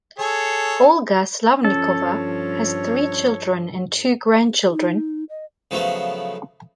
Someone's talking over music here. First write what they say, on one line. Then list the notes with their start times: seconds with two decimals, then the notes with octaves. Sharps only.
Olga Slavnikova has three children and two grandchildren.
0.19 G#4 A4 C#5
1.64 G2 F3 C#4 A4 C#5
4.69 D#4
5.29 D#5
5.71 C#3 F3 F#3 A3 B3